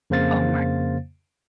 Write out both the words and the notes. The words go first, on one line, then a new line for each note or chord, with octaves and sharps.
Oh my
F2 C#3 A#3 C5 F5 A6